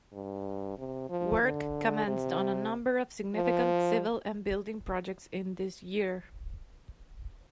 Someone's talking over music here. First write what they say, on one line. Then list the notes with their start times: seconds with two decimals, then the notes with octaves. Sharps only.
Work commenced on a number of significant civil and building projects in this year.
0.13 G2
0.78 C3
1.09 F3
1.42 D3
2.07 C3
3.35 F3